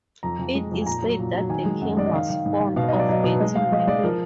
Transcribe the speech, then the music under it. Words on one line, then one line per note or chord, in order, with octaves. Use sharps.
It is said that the King was fond of getting married.
F2 A#5
F2
G#3
F2
G#5
A#2 A#5
F#3
A#2
F#3
D#3 G#5
G#3
F#2 F#5
G#3 D5
D#5
D#3 F5
D#3
G#2
G#2
B2 F5
F#3 D#5
D5
F#3 D#5
B2
G#3 D#5
G#3 F5
G#3 D#5
G#3 D5
F3 A#4